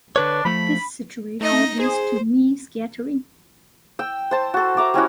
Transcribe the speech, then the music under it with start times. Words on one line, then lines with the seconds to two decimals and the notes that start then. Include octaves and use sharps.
This situation leads to Mie scattering.
0.16 D3 D4 B4 C#5
0.45 F3 A3 B5
1.41 A3 D#4 D#5
1.80 G#4 C5
3.99 G5 E6
4.31 C5 A5
4.54 F#4 A4
4.77 E5 A#5 D6
4.94 G3 C#4 E4 F#4